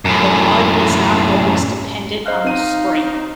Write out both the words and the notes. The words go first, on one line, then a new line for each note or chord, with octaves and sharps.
The mud is not always dependent on the spring.
F#2 A2
C5 D#5 F5 F#6
C4 D#4 D#7